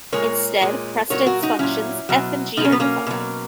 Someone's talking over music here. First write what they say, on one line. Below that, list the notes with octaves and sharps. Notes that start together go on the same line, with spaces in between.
Instead, precedence functions f and g are defined.
A#2 G#3 A#4 C#5
A#2 G#3
A#2 F#3 A#4 C#5
F#4 A#4
D#4 F#4
A#2 F#3 C#4 E4
B2 F#3
B2 F#3 C#4 D#4
B3
A#3 C#4
B2 F#3